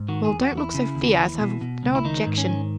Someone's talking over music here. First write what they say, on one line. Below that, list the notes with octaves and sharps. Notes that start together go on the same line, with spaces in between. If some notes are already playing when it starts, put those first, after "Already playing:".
'Well, don't look so fierce; I've no objection.
Already playing: G#2
D#3 F#4
G#4
E2
F#4
E2
E4
C#3
D#2
E3
B2
B2
C#2
E4
D#3 D#4
G#2
C#4
D#3